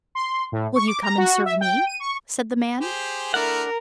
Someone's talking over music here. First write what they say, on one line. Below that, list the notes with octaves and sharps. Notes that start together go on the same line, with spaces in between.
"Will you come and serve me?" said the man.
C6
A2
C#6
D6
A#5
F#4
E5
G5
D#7
C#6
G4 G#4 C5
A3 D4 E4 A#4 F#5 F6